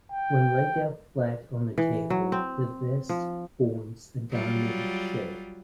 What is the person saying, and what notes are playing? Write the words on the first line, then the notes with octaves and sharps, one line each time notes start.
When laid out flat on a table the vest forms a diamond shape.
G5
E3
F#3
C4
F3
F#3 G3 F4